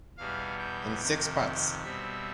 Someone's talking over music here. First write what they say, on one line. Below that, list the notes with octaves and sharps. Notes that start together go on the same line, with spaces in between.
In Six Parts.
E2 B2 G3 F5
G5
F2 C3 D#3 G5
B2 G3 C4 E5